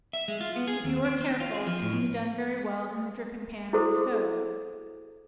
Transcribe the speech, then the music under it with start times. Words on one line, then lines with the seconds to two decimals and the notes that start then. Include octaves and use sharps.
If you are careful, it can be done very well in the dripping-pan of a stove.
0.13 E5
0.28 G#3
0.41 F4
0.56 B3
0.68 G#4
0.84 D#2
1.05 C4
1.21 C4
1.40 F4
1.54 G#4
1.67 F3
1.82 A2
3.73 E4 F#4 G#4 A4 C5